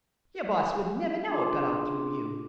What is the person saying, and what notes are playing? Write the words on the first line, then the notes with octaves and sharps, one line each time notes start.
"Your boss would never know it got out through you."
D4 F4 G#4 C6 D6